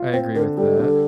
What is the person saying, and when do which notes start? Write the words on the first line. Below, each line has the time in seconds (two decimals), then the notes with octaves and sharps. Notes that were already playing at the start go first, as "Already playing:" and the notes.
I agree with that.
Already playing: F4
0.13 C4 C5
0.35 D3 A#4
0.57 G3 A4
0.79 D3